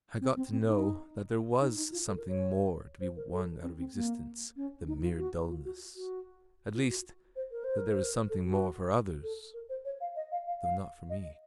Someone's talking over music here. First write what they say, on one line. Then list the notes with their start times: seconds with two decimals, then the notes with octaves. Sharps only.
I got to know that there was something more to be won out of existence than mere dulness; at least, that there was something more for others, though not for me.
0.21 C4
0.36 C4
0.52 C4
0.67 D#4
1.61 D#4
1.76 D#4
1.92 F4
2.07 A4
2.18 A#4
2.28 C#5
3.01 C5
3.16 A#4
3.32 A4
3.63 C4
3.79 C4
3.94 A#3
4.56 C#4
4.88 D#4
5.03 F4
5.18 F#4
5.49 F4
5.65 F#4
5.96 F#4
6.74 F4
6.89 F#4
7.36 C5
7.51 A#4
7.64 C5
7.78 A#4
7.91 C5
8.04 A#4
8.30 A4
8.45 F#4
9.23 A4
9.54 A#4
9.69 C5
9.85 C#5
10.01 F5
10.16 D#5
10.32 F5
10.47 F5
10.63 F5
11.10 D#5